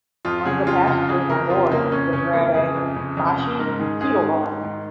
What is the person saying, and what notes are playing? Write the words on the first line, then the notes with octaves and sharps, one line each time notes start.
One of the passengers on board was rabbi Moshe Teitelbaum.
F2 F4
C#3 G#4
F2 F4
C#3 F4
F2 G#4
C#3 A#4
F2 F4
C#3 A#3
F2 C#4
C#3 C#4
F2 A#3
C#3 G#4
F2
C#3
F2
C#3
G#2 A#4
D#3 G#4
G#2 G#4
D#3
G#2
D#3